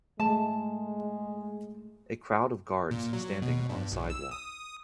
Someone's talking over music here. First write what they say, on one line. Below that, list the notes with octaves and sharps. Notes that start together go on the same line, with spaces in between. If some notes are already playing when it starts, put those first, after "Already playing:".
A crowd of guards standing on a sidewalk.
G#3 A3 A5
A#2
F#3
B2
G2
B1
E6
D#6